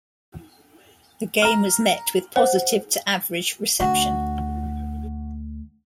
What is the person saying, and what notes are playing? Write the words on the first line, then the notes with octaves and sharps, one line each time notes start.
The game was met with positive to average reception.
A#5 F6
C5 F#5
D2 F#4